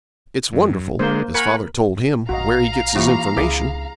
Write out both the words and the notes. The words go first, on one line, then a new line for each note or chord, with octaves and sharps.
It's wonderful, as father told him, where he gets information.'
F#2
D3 G#3 A#3 C5
A#4 F#5 G#5 B5 C#6
A#1 F#4 D#5 F5 A#5
E3 A#3 E4 F4 G4 C#6
C#2 D4 E4 G#4 D6